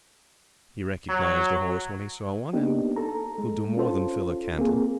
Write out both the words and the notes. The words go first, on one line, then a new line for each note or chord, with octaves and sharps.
He recognized a horse when he saw one, and could do more than fill a cantle.
F#3
A#3 B3 D4 D#4 G4
A4 A#5
G#3
C#4 F4 A4 C5
A#3 C4 G#4